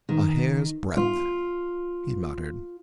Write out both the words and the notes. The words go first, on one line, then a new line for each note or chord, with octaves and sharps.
"A hair's-breadth," he muttered.
D#3
F4